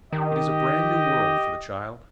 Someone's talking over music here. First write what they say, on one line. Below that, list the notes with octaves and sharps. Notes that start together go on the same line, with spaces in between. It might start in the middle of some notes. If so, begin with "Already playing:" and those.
It is a brand-new world for the child.
D#3 G4 D#5